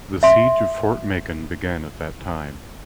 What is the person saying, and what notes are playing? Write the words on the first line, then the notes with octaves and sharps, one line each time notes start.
The siege of Fort Macon began at that time.
E5 C6